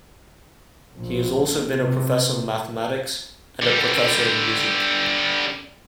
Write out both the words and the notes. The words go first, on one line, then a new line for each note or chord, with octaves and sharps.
He has also been a professor of mathematics and a professor of music.
A#1
C3
D3 G3